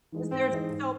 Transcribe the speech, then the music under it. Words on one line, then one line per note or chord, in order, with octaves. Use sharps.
'cause there's so
E3 G#3 D#4
G#2 C4
E3 G#3 D#4
G#2